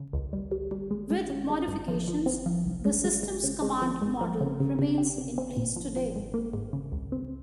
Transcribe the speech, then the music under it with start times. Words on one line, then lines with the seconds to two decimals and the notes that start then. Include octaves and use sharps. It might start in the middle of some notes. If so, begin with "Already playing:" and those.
With modifications, the systems-command model remains in place today.
Already playing: C#3
0.13 C#2
0.33 G3
0.51 G3
0.71 G3
0.91 G#3
1.11 G#3
1.30 C#4
1.50 G#3
1.68 G2
1.88 F3
2.08 F3
2.26 C4
2.46 F3
2.65 C2
2.85 G#3
3.04 G#3
3.23 G#3
3.44 C#3
3.62 G#3
3.81 F3
4.01 G#2
4.21 F3
4.41 C#3
4.60 C#3
4.79 C#3
4.98 G4
5.18 C3
5.38 C4
5.57 A#2
5.76 F3
5.96 F3
6.16 G#2
6.34 A#3
6.53 G#2
6.73 C#3
6.92 C#2
7.12 C4